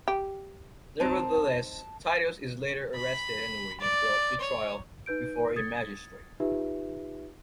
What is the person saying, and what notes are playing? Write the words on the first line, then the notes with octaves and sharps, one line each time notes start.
Nevertheless Titus is later arrested anyway, and brought to trial before a magistrate.
G4
C4 D#4 A5
B5
D5
C#5
D#4 B4 G6 D7
D#6 G#6 A6 C#7
D#4 F4 G4 B4 E5